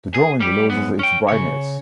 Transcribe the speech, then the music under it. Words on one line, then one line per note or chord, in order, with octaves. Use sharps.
The drawing loses its brightness.
G#4
G3 G4
F#2 B3
C#4 G5
C#3 C#5